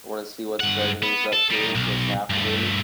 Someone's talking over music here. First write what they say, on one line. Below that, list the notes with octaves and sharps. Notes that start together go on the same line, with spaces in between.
I wanna see what the president's up to, what's happening.
G2 F#5
B3
A4
G3 D#4
B1
G2 A3